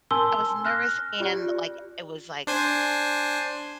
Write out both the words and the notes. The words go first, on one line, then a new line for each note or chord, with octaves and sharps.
I was nervous and, like, it was, like,
A#4 G#5 A5 C6 E6 G7
F6 F#6 A#6
F4 G4 D5
D4 C5 G#5